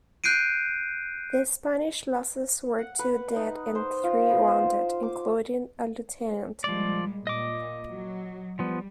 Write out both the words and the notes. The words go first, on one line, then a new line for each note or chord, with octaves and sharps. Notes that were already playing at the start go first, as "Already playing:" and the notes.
The Spanish losses were two dead and three wounded, including a lieutenant.
F#6 G6 C7 D7 D#7
F#5
B4
D#4
C5
F4
B3
C5
D6
A#2 F3 G3 G#3 D5
A#2 D#5 D6
F#3
F3 G3 B3